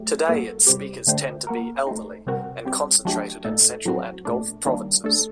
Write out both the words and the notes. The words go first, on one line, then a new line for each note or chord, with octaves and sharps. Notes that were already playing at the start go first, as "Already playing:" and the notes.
Today its speakers tend to be elderly, and concentrated in Central and Gulf provinces.
Already playing: F#3 A3 G4
A2 G3 A#3 F#4 A4
C3 G3 C4 G4
D3 A3 D4 G4 C5
A#3 F#4 A#4
A3 C4 D#4
C3 G3 C4 F#4 A#4
G3 C4 G4
F#3 A3 D4 G4
A#2 A3 D#4 A4
A2 F#3 C4 F#4
A#2 A3 D4
D#3 G3 A#3 D4
A3 D4 A4